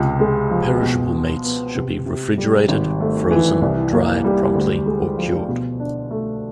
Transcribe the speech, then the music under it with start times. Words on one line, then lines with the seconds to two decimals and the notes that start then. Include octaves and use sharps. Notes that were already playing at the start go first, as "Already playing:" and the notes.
Perishable meats should be refrigerated, frozen, dried promptly or cured.
Already playing: C#2 C3
0.20 G#3
0.51 F3
0.82 B2
1.13 B2
1.44 B3
1.75 C3
2.06 C3
2.38 G3
2.69 G#1
3.00 A3
3.31 E3
3.62 C2
3.93 A#3
4.24 G3
4.55 D2
4.86 G#3
5.18 F3
5.48 B2
5.80 D4
6.11 A3